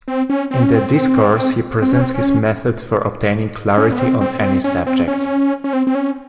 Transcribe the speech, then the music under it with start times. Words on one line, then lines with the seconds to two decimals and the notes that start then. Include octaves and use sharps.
In the "Discourse", he presents his method for obtaining clarity on any subject.
0.08 C4
0.30 C#4
0.51 C4
0.63 C#4
0.75 C4
1.82 C4
1.92 C#4
2.01 C4
2.14 C#4
3.78 C#4
3.92 B3
3.99 C4
4.21 C4
4.39 B3
4.43 C4
4.64 C#4
4.87 C4
5.08 C#4
5.64 C#4
5.73 C4
5.87 C4
5.95 C#4